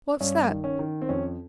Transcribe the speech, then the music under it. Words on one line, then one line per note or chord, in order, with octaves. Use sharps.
What's that?...
G2 C#4
D#3
C#4
D#3
C4
F2 C#4